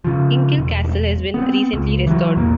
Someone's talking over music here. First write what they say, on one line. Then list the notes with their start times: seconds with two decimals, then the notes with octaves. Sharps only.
Kinkell Castle has been recently restored.
0.04 C#3 F3
0.58 E1
1.34 B3 C4
1.73 C#2
2.07 E3 F#3
2.36 B1 E2 A2 A#3